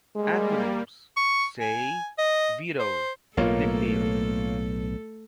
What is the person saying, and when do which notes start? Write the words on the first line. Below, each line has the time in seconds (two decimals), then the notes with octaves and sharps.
Antonyms: "say", "veto", "dictator".
0.15 G3 G#3 A#3
1.17 C#6
1.59 G#5
2.18 D#5
2.79 C5
3.37 B1 A2 A3 A#3 F4 A4 C#5